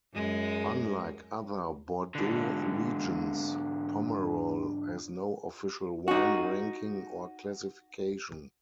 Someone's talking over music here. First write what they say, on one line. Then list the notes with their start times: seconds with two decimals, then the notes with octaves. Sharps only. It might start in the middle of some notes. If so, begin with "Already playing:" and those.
Unlike other Bordeaux regions, Pomerol has no official wine ranking or classification.
0.14 F#2 G#3
2.15 G#2 D3
6.08 D#4 F#4